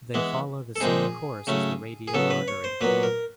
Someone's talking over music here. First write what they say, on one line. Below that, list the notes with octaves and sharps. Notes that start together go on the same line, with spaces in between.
They follow the same course as the radial artery.
E3 G#3 B3
A4
A#2 F3 G#3 C4 D#4 G#4
C#3 F#3 A3 C#4
G#4
C#3 F#3 B3 A4
B4
C#5
C5
A#2 F#3 B3 B4
A#4